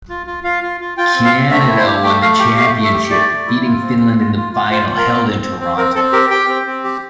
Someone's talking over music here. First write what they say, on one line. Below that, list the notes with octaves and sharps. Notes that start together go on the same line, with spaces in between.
Canada won the championship, defeating Finland in the final, held in Toronto.
F4
F4
F4 F5
F4
F4
F4 G5
C4
F5
C4
A3 E5
E4
C5
G4
A3 G5
A3 F5
G4 G5
A3 F5
A3
E5
G4
A3 D5
A3
E4
F4
C4
F4
F4
F4
F4
F4 C5
F4
A#4
C4
C4
C4
C4
C4 A#4
C4 A4
G4 A#4
G4 G5
C4
C4
G4